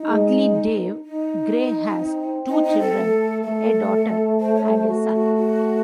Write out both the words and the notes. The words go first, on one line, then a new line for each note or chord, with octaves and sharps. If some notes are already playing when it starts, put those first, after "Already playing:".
Ugly Dave Gray has two children, a daughter and a son.
Already playing: D#4
G#3
D#4
C4
D#4
D#4
A4
A3
A3 A4
C5
C#5
C5
A3 F#4
F#4
F#4